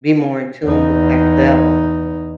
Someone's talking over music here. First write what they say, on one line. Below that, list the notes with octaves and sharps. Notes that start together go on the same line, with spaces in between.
be more in tune with ourself,
E2 D#4